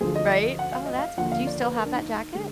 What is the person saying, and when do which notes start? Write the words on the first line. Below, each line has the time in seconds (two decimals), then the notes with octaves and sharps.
Right? Oh, that's do you still have that jacket?
0.01 D2 D3 F3 G#4
0.15 D#5
0.59 F#5
0.72 F5
0.86 D#5
0.99 F5
1.18 D#2 D3 F3 F#5
1.32 F5
1.47 D5
1.61 B4
1.76 A#4
1.86 D4
1.95 D#4
2.35 D3 G#3